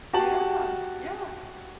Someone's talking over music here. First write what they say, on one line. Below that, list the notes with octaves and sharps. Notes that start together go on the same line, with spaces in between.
Yeah, yeah.
F#4 G4 A5 F#7